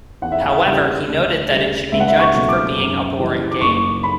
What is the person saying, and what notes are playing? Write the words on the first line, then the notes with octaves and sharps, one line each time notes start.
However, he noted that it should be judged for being a boring game.
E2 F#5
E5
F#5
C#3 G3
D2
C#3 G3
C#2 E5
F#5
E5
C#6
B2 F#3 A3
D6
F#2
C#3 E3 G3
D6
F#1 C#6
B5